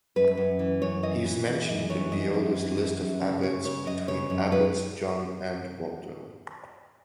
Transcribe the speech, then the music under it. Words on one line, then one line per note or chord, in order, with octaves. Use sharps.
He is mentioned in the oldest list of abbots between Abbots John and Waldo.
F#2 B4
F#2
E3
F#2 C#5
E3 D#5
E3
E3 D#5
F#2 D#5
E3 C#5
F#2 D#5
F#2
E3
F#2
F#2
C#3
C#3 C#5
C#3 C#5
F#2 D#5
C#3 C#5
F#2 C#5
F#3 B4